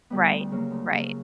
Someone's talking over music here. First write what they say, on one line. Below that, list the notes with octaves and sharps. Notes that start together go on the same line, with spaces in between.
Right. Right.
D3 G3 B3
D2
C#3 F#3 A#3
D2
C#3 F#3 A#3